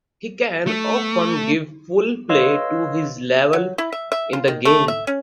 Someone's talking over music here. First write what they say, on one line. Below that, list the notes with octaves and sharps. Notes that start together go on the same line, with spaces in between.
He can often give full play to his level in the game.
A3
B4 C#5 D#5 F5 C6 E6
F#3
E4
E5
E5
F4
D#3
A3
E5
C#4